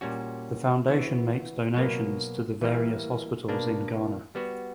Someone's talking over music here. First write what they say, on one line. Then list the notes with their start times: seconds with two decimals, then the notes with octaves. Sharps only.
The foundation makes donations to the various hospitals in Ghana.
0.01 A#2 G3 C#4 F#4
0.88 E3 B3 F#4
1.74 B2 F#3 A#3
2.61 E3 G3 A#3
3.49 B2 A#3 D4
4.35 G3 B3 F#4